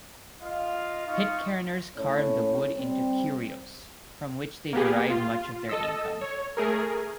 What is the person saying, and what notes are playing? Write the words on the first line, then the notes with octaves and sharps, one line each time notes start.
Pitcairners carve the wood into curios, from which they derive much of their income.
F4 D#5 F5
D#4 F4 D#5 F5 C#6
A2 C#4 C#5
G3 C4
A#3 B3 G4 G#4
F4
A4 D#5 E6
C#5
A3 G#4 A#4